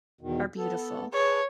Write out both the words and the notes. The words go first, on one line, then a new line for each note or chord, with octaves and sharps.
are beautiful.
E2 B2 D#3
B3 A4
G#4 B4 C#5 A5